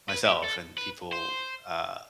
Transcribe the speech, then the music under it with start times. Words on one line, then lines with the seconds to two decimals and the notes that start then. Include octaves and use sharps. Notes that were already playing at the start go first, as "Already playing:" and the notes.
myself and people, uh,
0.10 B4
0.27 G4
0.44 A4
0.78 B4
1.13 C5